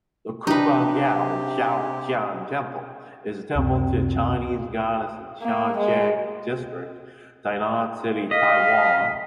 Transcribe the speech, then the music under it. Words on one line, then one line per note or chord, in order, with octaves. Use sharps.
The Kugualiao Chao-Tian Temple, is a temple to the Chinese goddess in Shanshang District, Tainan City, Taiwan.
C3 D4 D#4 G4 B4
C#2 F#2 C3 C4
A#3
G#3
D#5 F5 B6